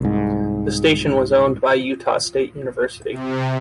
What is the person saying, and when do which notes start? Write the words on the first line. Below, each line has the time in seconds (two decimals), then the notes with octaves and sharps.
The station was owned by Utah State University.
0.01 C2 G#2
3.11 C3